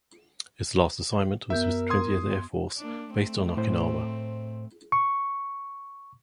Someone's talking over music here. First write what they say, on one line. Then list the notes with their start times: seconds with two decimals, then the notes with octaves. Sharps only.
Its last assignment was with Twentieth Air Force, based on Okinawa.
1.50 F#2 B3 A#4 E5 G6
1.90 C6 D#6 G#6
2.77 A#3 D4
3.14 A3 C4
3.57 A2 C5
4.92 C#6